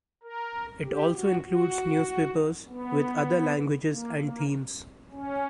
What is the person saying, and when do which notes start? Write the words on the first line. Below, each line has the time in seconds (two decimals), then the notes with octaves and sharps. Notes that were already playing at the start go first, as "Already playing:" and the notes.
It also includes newspapers with other languages and themes.
0.23 A#4
0.84 G4
1.14 F#4
1.45 F#4
2.68 B3
3.90 A#3
4.20 A#3
5.12 C#4